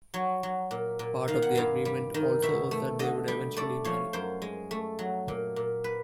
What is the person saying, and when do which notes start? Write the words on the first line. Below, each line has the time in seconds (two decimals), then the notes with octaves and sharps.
Part of the agreement also was that they would eventually marry.
0.14 F#3 C#5
0.43 F#3
0.71 A#2
0.99 A#2
1.28 D#3 F5
1.42 F#5
1.55 G2 F5
1.85 G3
2.14 D#3
2.42 B2 E5
2.71 A3
2.99 D3 D#5
3.28 G3
3.57 A3 D5
3.84 F3 C#5
4.13 F#2 C5
4.42 G#3
4.71 A3
4.99 F#3
5.28 A#2
5.56 A#2
5.84 B4